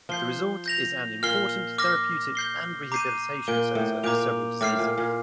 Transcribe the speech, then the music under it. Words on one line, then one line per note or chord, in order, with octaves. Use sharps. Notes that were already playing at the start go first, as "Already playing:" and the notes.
The resort is an important therapeutic and rehabilitation centre for several diseases.
F3 G6 C7 G7
G6 A#6 F7
A#2 F6 C7 G7
D6 F6 A#6
G6 C7 G7
A#5 D6 G6 C7 D#7
A#2 G6 D7 G7
A2
A#2 A#5 D6 G6 D7 F7
A2 D6 F6 C7
A#2
A#2